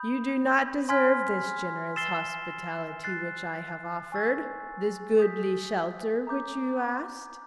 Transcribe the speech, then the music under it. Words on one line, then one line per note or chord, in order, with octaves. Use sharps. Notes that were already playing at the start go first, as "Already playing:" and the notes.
You do not deserve this generous hospitality which I have offered, this goodly shelter which you asked.
Already playing: B5 D#6 G6
G#5 C6 F6 G#6 B6
E6 A6 C7 E7 G7
F#6 A6 C7
G#5 C#6 E6 A6
D#6 G6 B6
A#5 D6 G6